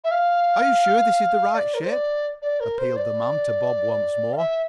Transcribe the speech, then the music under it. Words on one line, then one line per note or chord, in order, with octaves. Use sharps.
"Are you sure this is the right ship?" appealed the man to Bob once more.
E5
F5
D5
A#4
C5
D5
D5
A#4
C5
D5
F5
E5